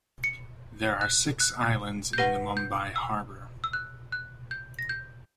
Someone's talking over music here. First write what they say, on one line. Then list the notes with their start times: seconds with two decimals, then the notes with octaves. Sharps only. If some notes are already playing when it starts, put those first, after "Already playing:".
There are six islands in the Mumbai Harbour.
0.24 C#7
1.01 F#6
1.40 F#6
2.13 G6
2.18 G4 B4 F#5 A#6
2.57 G6
2.96 E6
3.64 E6
3.73 F#6
4.12 F#6
4.51 G6
4.79 A#6
4.89 G6